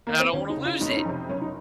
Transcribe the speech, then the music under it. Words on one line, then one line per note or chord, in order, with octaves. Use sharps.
and I don't wanna lose it."
A#3
C4
D#2 C#4
D#4
C#3
F4
F1 D#4
C#4
D#4
F2 C3
F#1 C#4
D#4